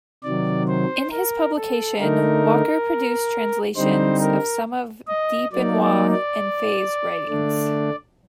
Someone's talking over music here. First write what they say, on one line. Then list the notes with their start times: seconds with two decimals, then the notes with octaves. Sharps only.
In his publication, Walker produced translations of some of De Benoit and Faye's writings.
0.24 C3 D#3 F#3 D5
0.68 C5
1.11 A#4
1.56 A4
1.99 D3 A3 D#4 A#4
3.76 D3 G3 C4 D#4 C5
4.20 A#4
5.08 D#5
5.52 F#3 A#3 D#4 D5
5.82 D5
6.11 D5
7.29 D3 A3 D4